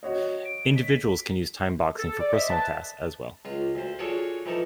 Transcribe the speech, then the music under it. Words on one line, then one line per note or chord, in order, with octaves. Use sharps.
Individuals can use timeboxing for personal tasks, as well.
F#4 C#5 D#5
D7
B6
A4
D5
C5 D#5 E5
B4 A5
C#2 F4
D2 C5
F4 F#4 G#4 A4 C#5 D5
E3 F3 D#4 A4